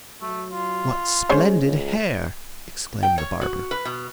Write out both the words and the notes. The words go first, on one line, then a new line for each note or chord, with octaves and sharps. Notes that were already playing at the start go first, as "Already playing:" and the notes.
"What splendid hair!" exclaimed the barber.
F#3 A3
F4
G#3 C#4 C5 C#5
C#2
G5
C#5
F#4
B4
B2